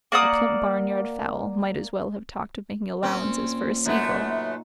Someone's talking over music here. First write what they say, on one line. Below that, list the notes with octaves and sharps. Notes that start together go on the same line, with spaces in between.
A plump barnyard fowl might as well have talked of making allowances for a seagull!
A#3 D5 F#5 D#6
A#2 C4 C#4
F#2 A3 B3 D#4